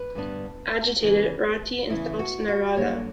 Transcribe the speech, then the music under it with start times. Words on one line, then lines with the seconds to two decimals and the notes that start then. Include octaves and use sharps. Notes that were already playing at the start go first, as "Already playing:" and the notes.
Agitated, Rati insults Narada.
Already playing: B4
0.15 G2 D3 G3 B3 D4
1.02 E2 C#3 E3
1.90 E2 C#3 E3 E4
2.19 F#4
2.48 F#4
2.76 G2 D3 F#3 A#3 C#5